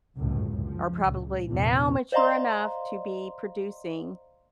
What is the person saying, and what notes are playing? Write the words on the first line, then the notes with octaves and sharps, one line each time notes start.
are probably now mature enough to be producing
G1 C#2 F#2 A2
F3
C#2 A#2
A#1 E2 C3
C5 D5 D#5 F5 A#5 C6